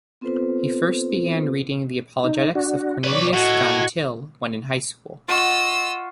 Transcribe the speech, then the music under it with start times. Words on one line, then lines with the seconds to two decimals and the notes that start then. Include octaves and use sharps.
He first began reading the apologetics of Cornelius Van Til when in high school.
0.21 B3 C4 F4 A4 B4 C5
2.24 D#4
2.55 D4 F#4
3.04 B1 B4 C#5 D5
3.34 A2 F#4 D#5 G#6
5.28 F4 D#5 F#5 C#6 E6